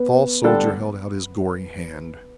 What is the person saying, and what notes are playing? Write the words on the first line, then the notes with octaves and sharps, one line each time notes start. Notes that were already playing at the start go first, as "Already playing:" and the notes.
The tall soldier held out his gory hand.
Already playing: B3 B4
D3 G3 D4 A4